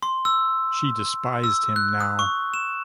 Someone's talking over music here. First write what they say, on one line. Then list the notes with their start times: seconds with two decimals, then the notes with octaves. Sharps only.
She despised him now.
0.03 C6
0.25 E6
1.44 E6
1.76 F#6
2.00 D#6
2.19 C#6
2.54 E7